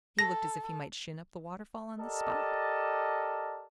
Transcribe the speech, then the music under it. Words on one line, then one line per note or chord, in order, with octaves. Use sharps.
He looked as if he might shin up the waterfall on the spot.
A4 A#6
G4 A4 A#4 D5 D#5 A5